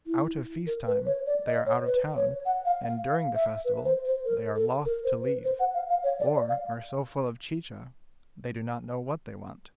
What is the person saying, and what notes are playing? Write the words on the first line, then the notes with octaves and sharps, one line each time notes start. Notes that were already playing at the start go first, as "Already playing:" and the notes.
Out of feast-time they are out of town, and during the festival they are loth to leave, or are so full of chicha they do not know what they want.
E4
A#4
B4
C#5
D5
D#5
C#5
B4
C#5
F#5
F5
F5
F5
E5
B4
C5
C5
A#4
A4
A#4
C5
B4
C5
F#5
F5
F5
C#5
D5
D5
F5